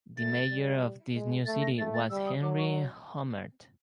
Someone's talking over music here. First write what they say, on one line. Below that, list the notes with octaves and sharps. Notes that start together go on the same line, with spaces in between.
The mayor of this new city was Henry Hummert.
A3 A6
G3
G#3
A3 A6
A#6
A3 A6
A6
G3 E6
D#6
F#3 D6
C#6